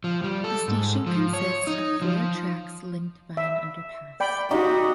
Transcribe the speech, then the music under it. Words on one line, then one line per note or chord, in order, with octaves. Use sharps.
The station consists of four tracks linked by an underpass.
F3
G3
A4
G#2
F3
C#5
D#4
F3
E5
D5 G5 B5
D#4 F#4 G4 D#5